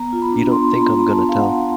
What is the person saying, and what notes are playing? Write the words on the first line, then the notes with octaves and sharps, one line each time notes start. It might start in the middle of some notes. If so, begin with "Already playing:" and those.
You don't think I'm gonna tell!
Already playing: B3 A#5
F4
B5
D4
B3 C6
F4 A#5
B5
F4
A#5
B3 A5
F4 F5
F#5
B3